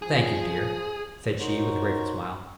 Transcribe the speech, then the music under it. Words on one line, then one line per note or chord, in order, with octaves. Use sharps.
"Thank you, dear," said she, with a grateful smile.
F3 G#4
D#4 F#4 A#4 C5 C#5